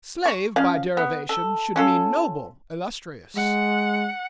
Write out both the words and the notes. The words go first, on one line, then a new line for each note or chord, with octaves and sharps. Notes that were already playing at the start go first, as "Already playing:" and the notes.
Slave by derivation should mean noble, illustrious.
C#6
F3 C#4 F5
B3
A4
C#4 F4 A4
G#3 F#5